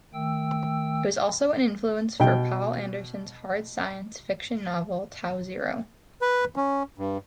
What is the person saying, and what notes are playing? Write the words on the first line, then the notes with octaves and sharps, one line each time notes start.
It was also an influence for Poul Anderson's hard science fiction novel "Tau Zero".
D#3 A3 G5 E6
B2 G5
B4
C#4
G2